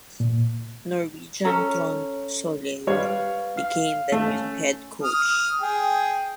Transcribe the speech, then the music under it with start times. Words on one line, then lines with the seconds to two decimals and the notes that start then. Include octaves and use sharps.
Norwegian Trond Sollied became the new head coach.
0.20 A#2
1.45 C#4 A4 A#5
2.87 G3 B4 C#5 F5
3.57 F5
4.12 A3
4.27 C#4
5.04 D#6 F6
5.61 G#4 G5